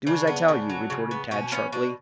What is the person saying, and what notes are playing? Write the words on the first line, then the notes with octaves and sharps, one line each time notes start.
"Do as I tell you," retorted Tad sharply.
C#3 D4
B3
C#3
F#3
C#3
B3
B2 C#4
B3 C#4
B2 D4